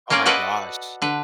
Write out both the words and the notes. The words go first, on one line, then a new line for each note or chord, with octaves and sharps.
Oh my gosh.
A#3 C#4 F4 A#4 D5
F#4 A4 B4 D5 D#5 F#5
D3 B4